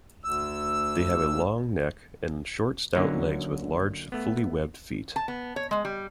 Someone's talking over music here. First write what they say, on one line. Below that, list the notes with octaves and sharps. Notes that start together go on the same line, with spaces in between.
They have a long neck and short stout legs with large, fully webbed feet.
D2 E6
D3 F#3 A#3 C#4 D#4
A3 B3
A5
B3
C#5
G#3
G3